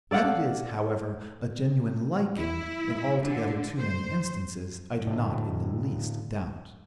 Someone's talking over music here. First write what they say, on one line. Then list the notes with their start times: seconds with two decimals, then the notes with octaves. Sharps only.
That it is, however, a genuine liking, in altogether too many instances, I do not, in the least, doubt.
0.11 A4 D5 F5 F#5
2.37 E4
3.22 D3
3.79 C5
5.07 A2 D3